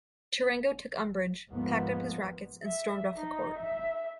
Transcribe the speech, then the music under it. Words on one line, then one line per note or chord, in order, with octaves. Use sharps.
Tarango took umbrage, packed up his rackets and stormed off the court.
D#2 G#2 F3 A#3 B3
E5
D#4
E5